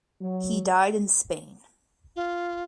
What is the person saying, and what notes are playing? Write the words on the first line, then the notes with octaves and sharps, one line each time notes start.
He died in Spain.
F#3
F4